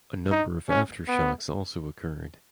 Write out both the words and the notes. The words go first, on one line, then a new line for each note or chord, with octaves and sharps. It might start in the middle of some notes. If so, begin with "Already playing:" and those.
A number of aftershocks also occurred.
D#4
C#4
B3